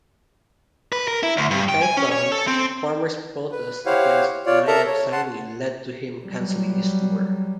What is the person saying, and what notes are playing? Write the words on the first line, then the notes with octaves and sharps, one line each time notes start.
In Kaithal, farmers' protest against Nayab Saini led to him canceling his tour.
B4
A#4
E4
D2
G2
G5
G#5
C#4
C#5
A4
C4
B4
E4 G4 C5 C#5 F5 F#5
F4 C#5 D5
A4 A#4 E5 A5 A#5
C#5
F#5 A5 C6
F#3 G3